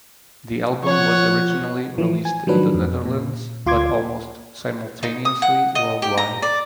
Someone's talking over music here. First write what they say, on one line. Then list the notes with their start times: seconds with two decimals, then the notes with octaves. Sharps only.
The album was originally released in the Netherlands but almost simultaneously worldwide.
0.84 F3 C#5 F#5
1.98 E3 F3
2.25 G#5
2.47 D#3 F3 F#3 D4 B4
2.74 F2
3.05 A#2
3.66 D2 F4 C6 D6 G#6
5.03 D#4
5.25 D#6
5.42 F#5
5.75 D#5
6.02 G4
6.18 A#5
6.42 D5